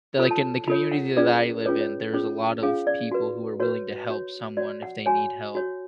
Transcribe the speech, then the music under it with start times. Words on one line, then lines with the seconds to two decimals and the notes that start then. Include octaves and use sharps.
like that like in the community that I live in, there's a lot of people who are willing to help someone if they need help,
0.19 F4 A4 C#5 B5
0.31 A5
0.68 F4 A4 C#5 B5
0.92 F#5
1.16 C#4 F4 G#4 B4 D5
1.65 C#4 F4 G#4 B4 C#5
1.81 C#5
2.13 C#4 F4 G#4 C#5
2.62 C#4 F4 G#4 C#5 F5
2.87 D5
3.12 F#4 B4
3.60 F#4 B4 C#5
4.09 F#4 C#5
4.57 F#4 C#5 D5
4.82 F#5
5.06 F#4 C#5 G#5
5.55 F#4 C#5